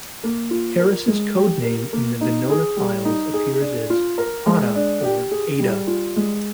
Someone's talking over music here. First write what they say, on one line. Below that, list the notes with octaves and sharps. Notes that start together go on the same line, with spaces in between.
Harris's code name in the Venona files appears as "Ada" or "Aida".
A#3
F4
A#4
G#3
G4
A#4
A#3
D#4
G#4
G3
D#4
G#4
D4
F4
A#4
G#3
D4
G4
G#4
G3
F4
G#3